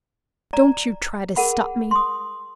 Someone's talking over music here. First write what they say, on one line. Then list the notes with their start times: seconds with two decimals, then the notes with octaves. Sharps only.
Don't you try to stop me!
0.53 D5 A#5
1.36 G#4 A#4 F#5 B5
1.91 C6 D#6